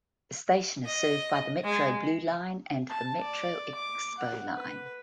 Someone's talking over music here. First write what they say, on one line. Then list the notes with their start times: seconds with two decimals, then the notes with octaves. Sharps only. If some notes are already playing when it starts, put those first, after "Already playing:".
The station is served by the Metro Blue Line and the Metro Expo Line.
0.86 D#5
1.64 G#3
2.90 A5
3.21 D5
3.75 D6
4.18 F#5
4.55 B4